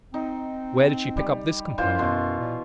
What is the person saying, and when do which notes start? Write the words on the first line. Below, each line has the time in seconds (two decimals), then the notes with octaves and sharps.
Where did she pick up this companion?
0.14 C4 D#4
1.17 G3
1.78 F#2 E3 F4 C5
1.98 B2 C6
2.40 A#2